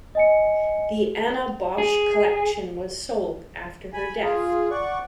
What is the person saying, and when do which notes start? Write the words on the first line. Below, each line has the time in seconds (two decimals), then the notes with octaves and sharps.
The Anna Boch collection was sold after her death.
0.15 D#5 G#5 C#7
1.78 G#4
3.93 G#5 B5
4.23 F4 G#4
4.71 D5 F#5 C#6